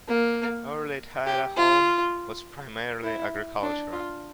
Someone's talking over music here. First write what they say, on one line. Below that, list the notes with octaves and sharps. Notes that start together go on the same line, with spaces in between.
Early Tidaholm was primarily agricultural.
A#3
G4
F4
E4
D4
F4